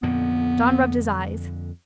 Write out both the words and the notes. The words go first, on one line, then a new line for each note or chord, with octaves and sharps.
John rubbed his eyes.
F2 A#2 D3 B3